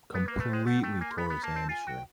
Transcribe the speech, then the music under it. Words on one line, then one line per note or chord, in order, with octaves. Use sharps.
completely tore his hamstring.
B3 B4
A#3 B4
A3
G#3 C5
A3 F#5
A3 G5
A#3 G#5
C6
B3 B5
B3
A#3 A5
C4
F4 G#5
F#4 G5